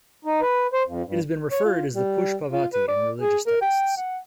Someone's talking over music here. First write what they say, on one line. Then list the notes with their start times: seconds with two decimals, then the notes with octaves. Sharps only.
It has been referred as the Pushpavati in religious texts.
0.25 D#4
0.41 B4
0.73 C5
0.86 F2
1.05 G2
1.52 C#5
1.65 F4
1.95 G3
2.52 F4
2.73 B4
2.88 D5
3.22 G#4
3.47 A#4
3.62 G5
3.97 F#5